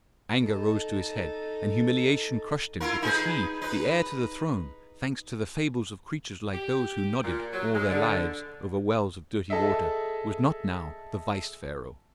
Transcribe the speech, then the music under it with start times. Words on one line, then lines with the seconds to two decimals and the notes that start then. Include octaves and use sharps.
Anger rose to his head, and humiliation crushed him because he, the heir to the throne, thanks to the fables of creatures like those who nodded all their lives over wells of dirty water, was not now the vice-pharaoh.
0.40 D#4 A4
2.80 E4 F4 A#4
3.02 D#4 G#4 B4
3.62 D#4 B4
6.54 G4
7.24 A#2
7.53 F#3
7.74 G#3
7.90 D3
9.50 G#4 A4 D#5 E5